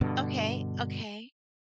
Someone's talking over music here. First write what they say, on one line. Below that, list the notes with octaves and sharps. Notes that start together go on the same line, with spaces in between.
Okay, okay.
G2 B2 D3